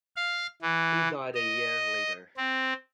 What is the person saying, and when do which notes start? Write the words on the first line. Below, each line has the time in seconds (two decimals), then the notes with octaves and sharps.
He died a year later.
0.16 F5
0.62 E3
1.35 D#5
2.37 C4